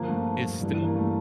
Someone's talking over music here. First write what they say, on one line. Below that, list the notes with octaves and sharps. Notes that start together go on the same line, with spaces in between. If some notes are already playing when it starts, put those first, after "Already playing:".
is still
Already playing: G2 D3 F3 A#3
A3
G2 E3
A#3
A3